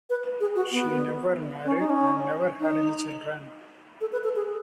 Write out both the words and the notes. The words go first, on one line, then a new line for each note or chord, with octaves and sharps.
She never married and never had any children.
B4
G#4
F#4
B3
C#4
D#4
C#4
D#4
A4
B4
A4
G#4